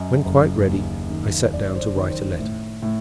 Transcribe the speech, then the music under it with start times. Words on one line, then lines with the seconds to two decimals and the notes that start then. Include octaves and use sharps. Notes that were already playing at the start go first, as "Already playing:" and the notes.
When quite ready, I sat down to write a letter.
Already playing: F#2 D#5
0.25 F#1
0.68 D#2
1.10 D#3
1.53 F#1 D5
1.76 C5
1.82 D5
1.96 D#3
2.11 C5
2.39 A2
2.82 A2